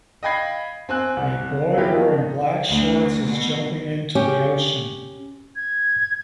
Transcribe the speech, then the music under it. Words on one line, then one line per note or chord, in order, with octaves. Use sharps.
A boy wearing black shorts is jumping into the ocean.
D#5 F5 G5 B5 G#6 C7
C4 G#5 F#6
C2
A#3 B3 E4 F4 G4 G#4
F3
D#4
D2
B2
C#4 G4
G#6